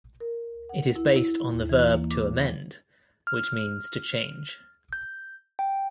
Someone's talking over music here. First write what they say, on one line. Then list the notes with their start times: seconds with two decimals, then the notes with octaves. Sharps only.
It is based on the verb to amend, which means to change.
0.20 A#4
0.69 F#5
0.96 E4
1.16 E4
1.52 D#2
1.69 E3
1.93 A#3
2.10 D6
3.27 F6
4.93 G6
5.59 G5